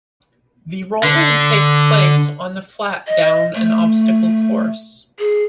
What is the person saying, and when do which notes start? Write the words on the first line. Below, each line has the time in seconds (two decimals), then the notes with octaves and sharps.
The rolling takes place on the flat down an obstacle course.
1.03 D3
3.07 D#5
3.55 A3
5.19 G#4